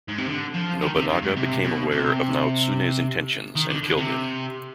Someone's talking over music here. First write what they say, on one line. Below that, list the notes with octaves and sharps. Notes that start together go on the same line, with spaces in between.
Nobunaga became aware of Naotsune's intentions, and killed him.
G#2
C3
D3
F3
D#3
C3
G2
G#2
C3
B2
C3
D#3
D3
D3
C3